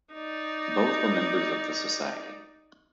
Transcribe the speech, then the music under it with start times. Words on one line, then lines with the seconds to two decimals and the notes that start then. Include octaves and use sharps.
Both were members of the society.
0.14 D#4 D5